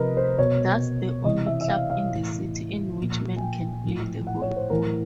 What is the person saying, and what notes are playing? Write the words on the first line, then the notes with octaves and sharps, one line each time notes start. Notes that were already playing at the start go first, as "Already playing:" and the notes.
That's the only club in the city, in which men can play the volleyball.
Already playing: C3 F3 A#4 B4 D#5
C5
B2 C#5
C3 E3 D#5
E5
E5
F5
F5
A2 E3
A#2 F3
G#5
G5
A2 F3
F#5
C#5
C5
A2 E3 A#4